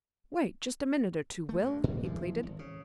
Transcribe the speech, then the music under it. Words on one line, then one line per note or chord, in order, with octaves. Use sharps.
"Wait just a minute or two, Will," he pleaded.
A3
G2
A2
E3 F3 G#3
G#1
C#3